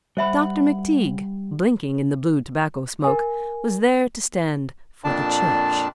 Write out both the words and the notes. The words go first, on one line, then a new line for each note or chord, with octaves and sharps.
Dr. McTeague, blinking in the blue tobacco smoke, was there to stand for the church.
G3 C5 E5 F#5 B5
A#4 G#5
F2 A#2 D4 D5 A5